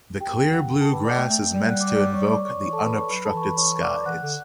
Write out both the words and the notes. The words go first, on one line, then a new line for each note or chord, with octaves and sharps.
The clear blue glass is meant to invoke the unobstructed skies.
E2 G4 G5
G4 G5
F#5
F#2
A4 A5
D3 B4 B5
D5 D6
A3 G5 G6
A3
A3
G3
F#5 F#6
D5 D6
D5 D6
C#5 C#6
D5 D6
C#5 C#6
E3 C#5 C#6
A4 A5
B4 B5
C#5 C#6
F#3 B4 B5
A4 A5
E3 C#6
B4 B5
C#5 C#6
D5 D6
E3 F#5 F#6
D3